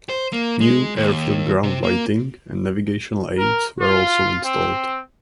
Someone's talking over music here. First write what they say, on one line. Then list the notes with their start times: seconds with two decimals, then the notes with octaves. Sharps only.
New airfield ground lighting and navigational aids were also installed.
0.09 C5
0.33 A#3
0.61 G#3
0.96 D#2
1.63 C3
1.84 A#3
3.38 A#4
3.80 F4
4.44 C4